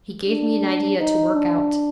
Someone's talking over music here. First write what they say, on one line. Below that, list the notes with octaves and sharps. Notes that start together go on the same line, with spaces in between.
He gave me an idea to work out.
D4
D#4
D4